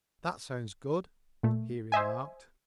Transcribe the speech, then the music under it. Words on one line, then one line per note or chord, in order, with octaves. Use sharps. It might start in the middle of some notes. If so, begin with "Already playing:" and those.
"That sounds good," he remarked.
A#2 A3
C5 D#5 E5 G#5